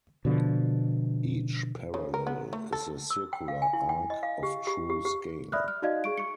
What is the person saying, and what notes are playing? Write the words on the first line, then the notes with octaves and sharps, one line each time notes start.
Each parallel is a circular arc of true scale.
B2 D3 F3
C#3
A#4
B3
A3
A4
E6
G5
F5
G#5
E4
G5
D#5
F5
G4
G4
G4
G4
D5 E5 B5 D#6 F6 F#6
F6
D#4 F#4 D5 D#5 F5 G#6
G#4 C#6 D7
C#6 C#7